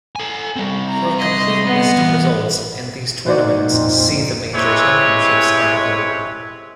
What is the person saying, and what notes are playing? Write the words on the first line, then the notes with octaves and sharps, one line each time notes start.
For a complete list of results in these tournaments see the major championships article.
A4 G#5
G3 C4
A#5
D#5 C6
B3
E3 F4
A#2 D#4 F#4 C5 D5
F2 A#2 C4
C3 G#3 C4 E4 B4 C#5